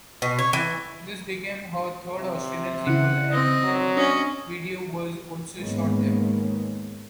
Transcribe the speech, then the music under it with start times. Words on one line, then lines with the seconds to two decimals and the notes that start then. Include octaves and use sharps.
This became her third Australian single, and the video was also shot there.
0.22 B2
0.39 C#5
0.53 E3
2.18 C3
2.87 C#3 E4 F#5
3.32 C4 D#5
3.64 F#3
3.97 C#4 D4 D#5
5.58 G#2 D#3 G#3 A#3 B3 C#4